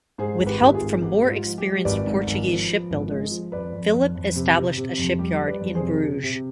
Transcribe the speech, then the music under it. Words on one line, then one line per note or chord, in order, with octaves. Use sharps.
With help from more experienced Portuguese shipbuilders, Philip established a shipyard in Bruges.
G#2 G#4 C5
G#1
G4 B4
G#1
F4 G#4
G#1
G#2 G4
G#2
F4
F3
G4
G#3
G#1 B4 D5
G#2
G#1
F3
F3
G#1
G#3
F3
F2 B4 D5
F2
F2
F2
C3
C3
C3
F2
G3 G4
G3
B4 D5
F2
G#4 C5
C3
C3
C3